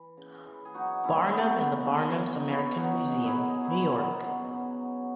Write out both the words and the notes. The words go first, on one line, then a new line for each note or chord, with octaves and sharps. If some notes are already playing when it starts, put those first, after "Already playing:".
Barnum in the Barnum's American Museum, New York.
Already playing: E3
C#3
E3
G#4
F#3 D#4 F#4
A#2 C#4 E4
F#3 B3 D#4
A#2
F#3
A#2
D#4
B2 C#4 E4
B2 D#4 F#4
F#3 G#4
E4 G#4
B2 D#4 F#4
F#3 E4 G#4
B2 B3 D#4
F#3
F#3
F#3